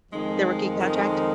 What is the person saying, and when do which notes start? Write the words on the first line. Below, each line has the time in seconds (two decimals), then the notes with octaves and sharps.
their rookie contract?
0.12 F2 D#3 G#3 D#4
0.78 F2 D#3 G#3 D#4